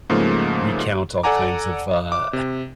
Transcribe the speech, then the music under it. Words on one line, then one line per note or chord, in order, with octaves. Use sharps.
recount all kinds of, uh,
G#2 C#3 F3 A3 A#3
A4 D5 F#5 G#5 A#5 D6
D6
C3